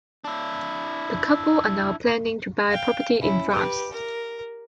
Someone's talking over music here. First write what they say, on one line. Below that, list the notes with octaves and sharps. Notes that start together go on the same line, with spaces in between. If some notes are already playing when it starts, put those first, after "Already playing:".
The couple are now planning to buy property in France.
D4 E4
F5 G5
C#4 E4
G4 B4
A#4